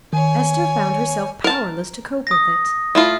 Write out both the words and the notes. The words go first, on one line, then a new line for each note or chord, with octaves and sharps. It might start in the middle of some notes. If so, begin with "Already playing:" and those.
Esther found herself powerless to cope with it.
D#3 C#5 G#5
A#4 A5
D#6 A#6
A3 E4 F4